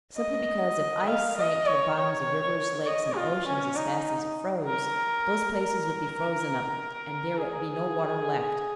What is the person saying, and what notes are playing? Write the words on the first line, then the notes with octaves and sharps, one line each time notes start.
Simply because if ice sank to the bottoms of rivers, lakes, and oceans as fast as it froze, those places would be frozen up and there would be no water left.
D#5
F5
D#5
C#5
C#5
D#5
F4
C#4
D#4
A#4
A#4
G#4